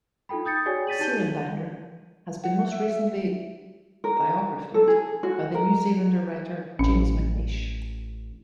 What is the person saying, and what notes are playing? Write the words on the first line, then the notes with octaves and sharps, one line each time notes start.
Seelenbinder has been most recently biographied by the New Zealand writer James McNeish.
D#4 F4 A4 G5 B5
D#6 G6 A6 C#7
F#4 G#4 C#5 D5 G5 G#5
A6 B6 D#7 F#7
D#4 G4 A5 G6 D#7 G7
F#5
E5
A#4
A4
G#4
F#4
A#4
A1 C#4